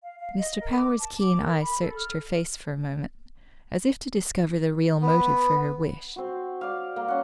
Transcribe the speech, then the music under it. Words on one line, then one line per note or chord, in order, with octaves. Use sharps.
Mr. Power's keen eye searched her face for a moment, as if to discover the real motive for her wish.
F5
F5
D#5
A#4
D6
A5
D6
A#4
B5
A4
F6
B3
C4 F#4
D5 F5
A#3
C#4 F#5